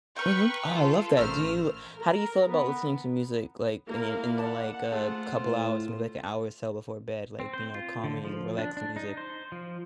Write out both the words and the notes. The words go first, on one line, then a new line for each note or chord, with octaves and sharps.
Mhm, oh, I love that, do you how do you feel about listening to music? Like, in in the like, uh, a couple hours maybe, like, an hour or so before bed like, you know, calming, relaxing music?
A#4 B4 G5 C#6
F4 A4
A1 A3 A#4 C5 F6
A#4
B3
A#3 E4 A#4 F5
D5 F#5 A5
A3 F4 G#4 C5
A2
C4
C5
F4
D3
F3
D4
D4
D#4
C5
F3